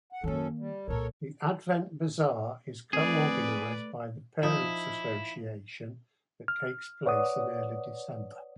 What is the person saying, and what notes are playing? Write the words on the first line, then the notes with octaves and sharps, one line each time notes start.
The Adventsbasar is co-organised by the Parents' Association that takes place in early December.
F#5
F#2 D#3 A#3 C#4 A4
G3
C2 A#2 A4 A#4 C#5
F2 A3 G#4 B4 D5
F3 D#4 E4 E5
F6
B4 C#5 D5 F#5 D#6